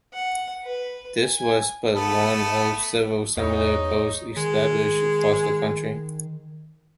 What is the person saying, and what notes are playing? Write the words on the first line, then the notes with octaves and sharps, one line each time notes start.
This was but one of several similar posts established across the country.
F#5
B4
G#5
A3 B3 A4
E2 D#4 C#5
D#3 G#3